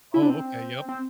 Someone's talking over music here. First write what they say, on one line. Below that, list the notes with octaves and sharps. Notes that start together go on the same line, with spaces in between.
Oh, okay, yep.
E4
D4
C4
C4